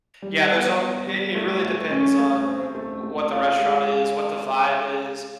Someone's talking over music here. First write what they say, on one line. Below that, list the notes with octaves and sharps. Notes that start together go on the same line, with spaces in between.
Yeah, there's al i it really depends on wh what the restaurant is, what the vibe is,
G3
B3
B3
G3
A3
A3
C#4
A3
C4
A3
A3
F4
G#3
G#4